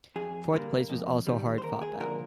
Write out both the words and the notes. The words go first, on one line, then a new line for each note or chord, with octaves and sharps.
Fourth place was also a hard fought battle.
F2 G#4
D3 G3 A#3
F2
D#3 G3
C5
D#2 A#4
G#4
D3 F3 A#3 A#4